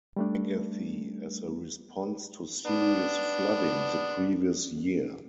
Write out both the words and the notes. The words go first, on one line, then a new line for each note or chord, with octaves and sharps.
Agathe, as a response to serious flooding the previous year.
G3 A3 D4
B3 D4